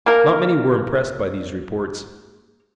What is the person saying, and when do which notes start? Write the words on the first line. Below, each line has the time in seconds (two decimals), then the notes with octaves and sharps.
Not many were impressed by these reports.
0.06 A#3 A#4